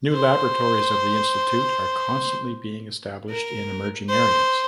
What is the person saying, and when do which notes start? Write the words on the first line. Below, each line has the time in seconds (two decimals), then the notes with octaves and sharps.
New laboratories of the institute are constantly being established in emerging areas.
0.12 C5
3.30 A#4
4.09 C5